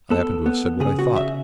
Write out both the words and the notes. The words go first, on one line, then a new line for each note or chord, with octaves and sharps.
I happen to have said what I thought.
B3 A4
B3
C#3 G#4
F#4
C#3 E5